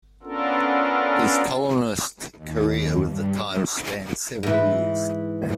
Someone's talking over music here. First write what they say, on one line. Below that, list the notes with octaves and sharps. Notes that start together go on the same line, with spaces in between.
His columnist career with the "Times" spanned seven years.
B3 C#4 D4 F4 A4 A#4
D#2
G2
G#2 E3